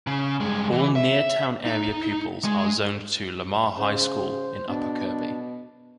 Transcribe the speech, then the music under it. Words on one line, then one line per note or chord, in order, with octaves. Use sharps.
All Neartown area pupils are zoned to Lamar High School in Upper Kirby.
C#3
G2 G#3
E3
E5
D#4
G#3
C#3 C5
B2 D4